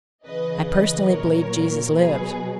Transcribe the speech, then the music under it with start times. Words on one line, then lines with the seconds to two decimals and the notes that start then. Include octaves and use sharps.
I personally believe Jesus lived.
0.24 C#3 E3 B4 D#5
0.68 B4 D#5
1.10 A#2 F#3 A#4 C#5
1.95 B2 F#3 G#4 B4